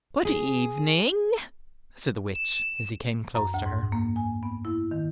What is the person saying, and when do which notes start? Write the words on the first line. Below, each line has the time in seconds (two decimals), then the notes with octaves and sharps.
"Good evening," said the witch, as he came close to her.
0.25 G#4
2.35 E7
3.35 F#2
3.54 D2
3.66 G#2
3.92 A#3
4.16 G#5
4.43 B3
4.65 E4
4.91 D#3